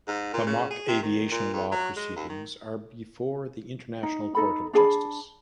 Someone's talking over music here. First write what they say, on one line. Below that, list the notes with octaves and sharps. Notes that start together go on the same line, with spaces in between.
The mock aviation law proceedings are before the International Court of Justice.
G#2
A#2
C#3
G#4
C3
D#3
A#2
F2
F#3
G#3
D#2
D#3
D#4
D#4 A4 B5
D4 G#4 A5 B5